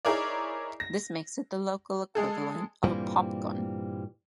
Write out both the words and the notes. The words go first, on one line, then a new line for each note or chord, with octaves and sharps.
This makes it the local equivalent of a pop gun.
D#4 E4 G#4 A#4 C#5 D5
A#6
G#3 G#4 A4
G2 A#2 E3 G3 A#3 C4